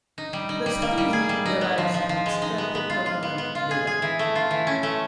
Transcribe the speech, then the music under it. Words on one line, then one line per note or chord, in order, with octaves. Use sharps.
The city's name derives from its Celtic toponym, "Beda".
D#4
G3
D#4
G3
A#3
G3
G#4
G3
D#4
B3
F3
F3
F3
G#3
D#4
B3
B3
F4
F4
B3
B3
F4
G#4
G#4
E3
A3
F4
E3
C#4
A3